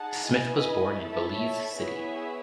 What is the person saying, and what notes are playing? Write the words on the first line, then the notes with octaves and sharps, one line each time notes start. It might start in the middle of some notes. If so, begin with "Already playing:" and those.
Smith was born in Belize City.
Already playing: D#4 G#4 F#5 A5
E4 B4 D#5 G#5
E4 A4 C#5 E5 A5
B3 E4 G#4 C#5 E5